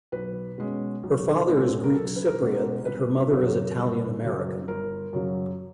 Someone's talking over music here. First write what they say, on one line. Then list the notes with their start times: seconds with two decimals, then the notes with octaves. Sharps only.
Her father is Greek-Cypriot and her mother is Italian-American.
0.12 B1 B4
0.58 B2 G#3 C#4
1.03 B1
1.49 B2 G#3 C#4
1.84 A#4
1.94 B1 A4
2.16 B4
2.25 A#4
2.40 B2 G#3 C#4
2.55 A#4
2.77 A#4
2.85 G1 B4
3.31 F#2 C#3 F#3
3.77 G1
4.22 F#2 C#3 F#3
4.68 G1 A#4
5.13 F#2 C#3 F#3